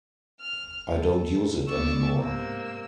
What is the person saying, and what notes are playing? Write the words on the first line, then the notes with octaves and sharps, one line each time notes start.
I don't use it anymore.
F6
A4
B3 D5 C#6 E6
G#2 C3 A#3 E6